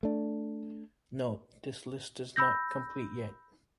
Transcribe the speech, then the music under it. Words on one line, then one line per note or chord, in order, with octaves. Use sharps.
Note: This list is not complete yet.
A3 D4
B5 E6 G6 A#6